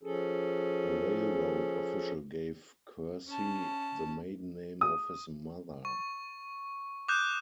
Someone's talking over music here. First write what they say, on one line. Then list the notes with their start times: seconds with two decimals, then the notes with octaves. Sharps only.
A railroad official gave Kersey the maiden name of his mother.
0.03 F3 C#4 G#4 A4
3.27 C#4 A5
4.81 D#6
5.85 C#6
7.08 D6 D#6 F#6 G6